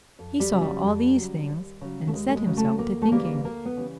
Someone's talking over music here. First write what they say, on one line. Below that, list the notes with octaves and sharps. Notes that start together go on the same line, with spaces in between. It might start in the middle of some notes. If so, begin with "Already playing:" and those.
He saw all these things, and set himself to thinking.
F2
G3
C#3 F#3
G3
F2 G3
C#3 F#3
D#2
C#3 F#3
A3
D#2 G#3
A3
G#3
C#3 F#3
A3
D2 A#3
A3
C#3 E3 G3 A#3
D2 A#3
B3
C#3 E3 G3